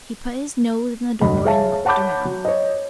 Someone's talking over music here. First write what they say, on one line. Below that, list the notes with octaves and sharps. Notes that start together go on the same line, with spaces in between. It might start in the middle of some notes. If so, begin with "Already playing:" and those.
He put his nose in the door and looked around.
F1 D2 G2 D#5 B5
G#4 C#5 E5 F5 A5
C#5 F#5 A5 B5 D6 G6
F#3
C#5 D#5